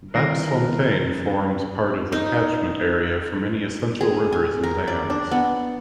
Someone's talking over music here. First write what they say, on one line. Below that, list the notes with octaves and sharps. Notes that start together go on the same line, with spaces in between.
Bapsfontein forms part of the catchment area for many essential rivers and dams.
D#3 G3 C4 E4 A#4 B4 A#6 C7
D#4
G#4
G#5
A#4
D5
D4
B3